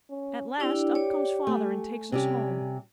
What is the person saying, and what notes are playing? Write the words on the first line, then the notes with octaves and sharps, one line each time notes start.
At last, up comes father and takes us home.
C#4
D4 E4 G4 D5
C#5 D5
A3 G#5
C3 G3 C#4 G4